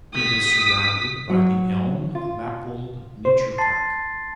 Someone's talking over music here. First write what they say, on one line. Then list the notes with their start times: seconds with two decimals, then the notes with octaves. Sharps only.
It is surrounded by the Elm-Lappwald Nature Park.
0.14 D#6 B6
1.30 F#3
2.15 F4
3.25 C5
3.58 A5 C6 A6 C7